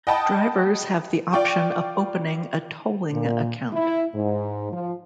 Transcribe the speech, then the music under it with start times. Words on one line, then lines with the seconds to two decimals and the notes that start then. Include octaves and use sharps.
Drivers have the option of opening a tolling account.
0.07 D#5 F#5 G5 A5 B5 D#6
1.33 F4 D5 G5 C#6
3.12 A#2
3.73 E4
4.14 G#2
4.73 F3